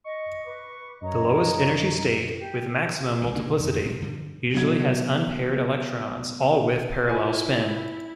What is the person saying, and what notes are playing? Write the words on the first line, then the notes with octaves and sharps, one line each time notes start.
The lowest-energy state with maximum multiplicity usually has unpaired electrons all with parallel spin.
D#5 C#6
B4 D6
F#2 C#5 D#5 A#5
G4
G#1 D3
A#2 A#3 D4
F2
A2 G3
G2 D3 F3 G3
B2 F#3 G#6
E4 F4 B4 G#5